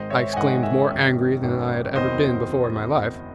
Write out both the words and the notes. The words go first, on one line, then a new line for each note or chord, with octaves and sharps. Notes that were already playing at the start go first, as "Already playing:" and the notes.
I exclaimed, more angry than I had ever been before in my life.
Already playing: G#1 G#2 D#3 G#3 C5 D#5
C#5 E5
G#5
G#1 G#2 D#3 G#3 D#5 F#5
E5 G#5
G#1 F#2 D#3
G#1 F#2 D#3
F#1 E2 D#3 F#3 C4 C5 D#5